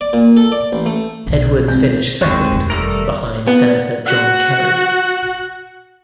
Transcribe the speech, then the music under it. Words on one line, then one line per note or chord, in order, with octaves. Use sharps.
Edwards finished second, behind Senator John Kerry.
D5
A#2
A4
D5
A1
A3
B1 E2
G#1 G6
G#1 D#2 D#3 G#3 C4 E4 C#6 F#6
F1 B1
G3 A3 A#4 A#5 D#6 D7
B3
F#4 F#5